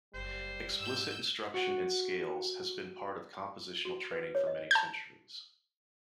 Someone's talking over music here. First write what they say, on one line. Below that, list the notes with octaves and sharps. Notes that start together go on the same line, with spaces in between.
Explicit instruction in scales has been part of compositional training for many centuries.
F#1 G3 C5
G#2 E6 G6
F#4 F#5
F#4
B4
C#5
D#5
A5 G6